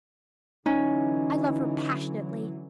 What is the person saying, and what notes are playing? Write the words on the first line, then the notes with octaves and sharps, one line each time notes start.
I love her passionately.
D3 E3 F#3 C#4 D#4